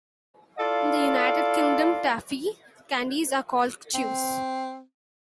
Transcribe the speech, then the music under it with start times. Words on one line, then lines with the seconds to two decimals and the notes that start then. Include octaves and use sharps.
In the United Kingdom taffy candies are called chews.
0.59 E4 F4 A4 D5 F5
3.94 C4